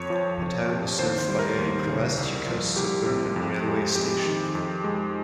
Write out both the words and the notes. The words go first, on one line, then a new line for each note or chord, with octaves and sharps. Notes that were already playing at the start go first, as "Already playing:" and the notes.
The town is served by a Proastiakos suburban railway station.
Already playing: F2 C#5
F3
F2
C3
D#2 C5
C5
G3
A#4
D#2
C#3
C2
F3
C2 G4
C3
F2
G#3
F2 G4
D#3
F2
G#3